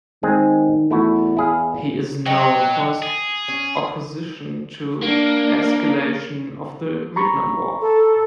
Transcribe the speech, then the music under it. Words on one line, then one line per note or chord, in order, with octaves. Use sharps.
He is known for his opposition to escalation of the Vietnam War.
D#3 G#3 C4 G#4
E2 A3 E4 F#4
E4 G#4 F5
F#3 D#5 G5
G#4
C#4
A#3 D4
A#5 B5 C#6
A4